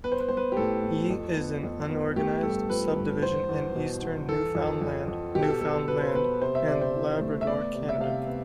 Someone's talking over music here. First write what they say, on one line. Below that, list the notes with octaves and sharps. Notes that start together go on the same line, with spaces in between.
E is an unorganized subdivision in eastern Newfoundland, Newfoundland and Labrador, Canada.
B3 B4
C5
B4
B3 C5
B4
G4
A2 A4
A2
F2
B3
F2
B3
A3 G4
G2 A4
F3 B4
G2
E2 C5
E2
B2
E2
E3 A4
F2
F2
F2
B2 G4
A4
G4
B3 A4
B2 B4
C5
B3 B4
C3 C5
E5
C3 D5
C5
E3
A3
E5
B3 D5
C3
E5
C3 F5
B3